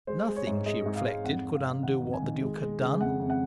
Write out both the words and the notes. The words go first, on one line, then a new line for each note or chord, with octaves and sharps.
Nothing, she reflected, could undo what the Duke had done.
G#3 C5
G#3
C#5
G#2
G#3 D#5
G#2
F5
G#2
F2 F#5
F2
F5
F2
D#3 F#5
F2
G#5
D#3
G#3
G#3
C#3
F2 F#5
F2
F#5